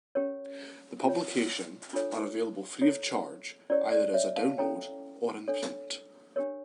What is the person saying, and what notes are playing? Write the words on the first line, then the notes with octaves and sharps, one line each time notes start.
The publication are available free of charge, either as a download or in print.
C#4 G4 A#4 C#5
F4 C#5
D4 F4 A4 C#5
E4 A4 C#5
C#4 E4 G4 A#4 C#5 D5
D5
C#5 E5
F5 A5
C#4 E4 A4 C#5 G5 A#5
D4 A4 C#5
D4 G4 A#4 C#5